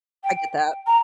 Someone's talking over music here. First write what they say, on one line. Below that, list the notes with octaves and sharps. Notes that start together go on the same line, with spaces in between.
I get that.
G5
A#5